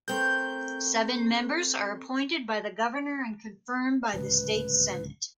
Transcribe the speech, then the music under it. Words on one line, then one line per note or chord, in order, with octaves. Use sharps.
Seven members are appointed by the governor and confirmed by the state senate.
A3 C4 A#4 G6
D1 C#2 B4